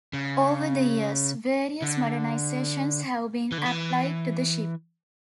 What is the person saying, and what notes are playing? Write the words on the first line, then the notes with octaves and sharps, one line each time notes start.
Over the years, various modernizations have been applied to the ship.
C#3
D3
E3
D3
E3